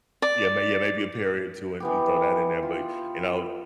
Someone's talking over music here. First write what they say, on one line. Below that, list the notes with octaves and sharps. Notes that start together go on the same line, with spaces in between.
yeah, may yeah, maybe a parot too, and you throw that in there, but, you know,
D5
E3 B3 G4
F4